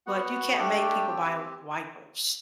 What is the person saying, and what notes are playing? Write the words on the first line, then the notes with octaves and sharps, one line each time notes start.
but you can't make people buy wipers.
B3 F#4 F#5
A3 D4 G4 G5
C4 G4